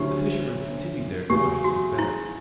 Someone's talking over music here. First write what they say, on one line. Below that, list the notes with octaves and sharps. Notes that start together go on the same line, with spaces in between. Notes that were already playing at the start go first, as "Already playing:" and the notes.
The fishermen continued their cautious advance.
Already playing: D2 D3 F#3 C#4 E4 G4
E2 C#3 F#3 G4
F#4
E4